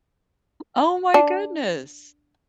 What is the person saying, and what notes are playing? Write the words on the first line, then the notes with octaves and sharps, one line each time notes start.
Oh, my goodness.
D4